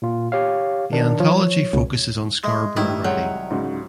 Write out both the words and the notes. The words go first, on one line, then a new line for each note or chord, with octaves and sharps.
The anthology focuses on Scarborough writing.
A#2 F4
G4 C#5 F5
D#3 D4 A#4
F3 C#5
C#2
G#3 E5
A2 D#3 G3 E4
C2 F#3 G#3 C#5 G6
G#2 C#3 F#4